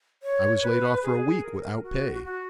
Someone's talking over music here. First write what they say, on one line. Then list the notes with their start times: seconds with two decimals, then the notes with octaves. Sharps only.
I was laid off for a week, without pay.
0.23 C#5
0.63 B4
1.03 G#4
1.43 A#4
1.83 F#4
2.23 F#4